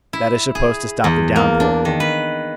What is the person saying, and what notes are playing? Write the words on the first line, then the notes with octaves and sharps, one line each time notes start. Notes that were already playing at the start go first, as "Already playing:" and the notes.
That is supposed to stop the downpour.
E4
G#4
E2
A#3
D4
D#3
B4